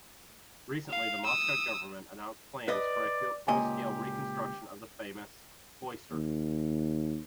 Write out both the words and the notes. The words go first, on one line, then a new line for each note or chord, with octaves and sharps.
Recently the Moscow government announced plans for a full-scale reconstruction of the famous cloister.
F5
D#6 E6
B4 D5 D#5
C#2 A#2 G4 D#5 G#5
D#2